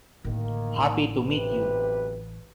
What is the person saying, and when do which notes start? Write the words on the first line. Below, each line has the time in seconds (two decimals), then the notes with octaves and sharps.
Happy to meet you.
0.24 A1 D3 D#3 A#3
1.26 B1 C3 B4